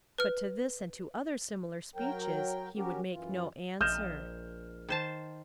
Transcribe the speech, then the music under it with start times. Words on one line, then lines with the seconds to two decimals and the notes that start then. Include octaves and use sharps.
But to this and to other similar speeches he would make no answer.
0.18 B4 F6
1.96 F#3 A#4 G5
2.76 C#4 F#4 G4 A#4
3.11 F#2 E3 F4
3.81 A#1 D#5 F6 G6 E7
4.89 D#3 C5 A5